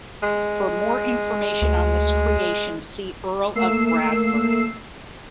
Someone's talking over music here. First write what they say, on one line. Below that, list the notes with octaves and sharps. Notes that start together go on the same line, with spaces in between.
For more information on this creation, see Earl of Bradford.
G#3
D2
A3 A#3 E6 C7